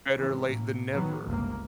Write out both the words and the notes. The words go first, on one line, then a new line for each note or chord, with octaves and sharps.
Better late than never.
G#2 E3 B3 C#4
A2 A#3
D#3 F3 F#3 B3
G1 C#2 C3 A#3